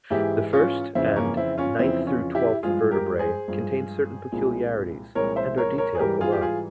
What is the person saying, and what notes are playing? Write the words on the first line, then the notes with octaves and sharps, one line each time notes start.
The first and ninth through twelfth vertebrae contain certain peculiarities, and are detailed below.
G#2 E3 G#3 E4 G4
C#4 F4
F2 C#3 E3 C4 E4
A#3 C#4
C4 E4
C#4 F4
F2 C#3 E3 C4 E4
C#4 F4
E4 G4
G2 F3 G#3 F4 G#4
G4 A#4
G#4 C5
G2 F3 G#3
C2 A#2 F3 G#3
C2 A#2 F3 G#3 A#4 C#5
C5 E5
A#4 C#5
A#4 C#5
G#4
G#2 E3 G3 G4 A#4
F4 G#4
G4
F4 G#4